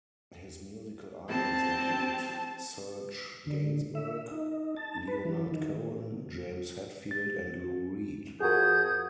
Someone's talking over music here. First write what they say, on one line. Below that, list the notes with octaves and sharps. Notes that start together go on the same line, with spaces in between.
His musical idols include Serge Gainsbourg, Leonard Cohen, James Hetfield and Lou Reed.
C4 A5
D3
E5
D#4
A5
B4
E3
D#3
A6
F2 F#4 G#4 A#4 D#6 G6 G#6